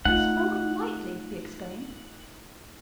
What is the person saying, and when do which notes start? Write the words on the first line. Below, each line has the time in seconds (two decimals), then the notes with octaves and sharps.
"Spoken lightly!" he exclaimed.
0.05 A3 D#4 F4 F#5